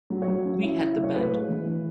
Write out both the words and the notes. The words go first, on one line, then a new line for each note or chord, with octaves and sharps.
We had the band.
F#3
C#5
F#3
C#4
E4
E4
F#3
C#5
A2 B4
G#3
E3
E3